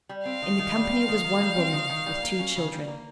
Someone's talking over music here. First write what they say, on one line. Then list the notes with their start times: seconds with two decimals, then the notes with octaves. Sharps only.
In the company was one woman, with two children.
0.09 G3
0.25 C4 F5
0.42 D#3
0.59 D#3
0.76 G3
0.91 C4
1.08 D#3
1.24 D#3
1.41 G3
1.57 C4
1.73 D#3
1.89 D#3
2.06 G3
2.23 A#3
2.39 C#4
2.56 C#3
2.72 G3
2.88 A#3